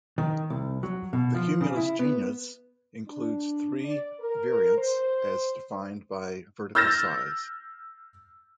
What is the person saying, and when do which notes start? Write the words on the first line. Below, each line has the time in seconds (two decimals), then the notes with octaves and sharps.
The cumulus genus includes three variants as defined by vertical size.
0.18 D#3
0.50 C2
0.83 F#3
1.13 B2
1.35 F3
1.61 C#3
1.76 E4
1.99 B3
3.08 D4
3.85 D5
4.20 A#4
4.76 C5
6.75 E6 F6 G6 A6 A#6 E7